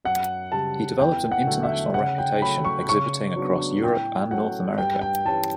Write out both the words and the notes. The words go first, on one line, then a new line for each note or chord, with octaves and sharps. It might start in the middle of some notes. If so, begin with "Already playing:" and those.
He developed an international reputation exhibiting across Europe and North America.
F#2 F#5
C#3 G3 A5
E2 G5
F#5
D3 F#3 A3
E5
C#3 F#5
G5
F#3 A3 C#4 B5
C#6
C#3 C#6
F#3 B3 D4
A2 G5
F#3 A3 C#4 F#5
G2 G5
G5
E3 G3 C#4 A5